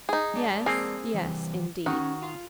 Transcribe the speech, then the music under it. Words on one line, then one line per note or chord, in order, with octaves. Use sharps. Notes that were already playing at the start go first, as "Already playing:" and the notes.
'Yes, yes, indeed.
D#4 G#4
G#3 D5 A5
A#3 C4 G#4
E3 G3
D#3 C#4 F#4
F4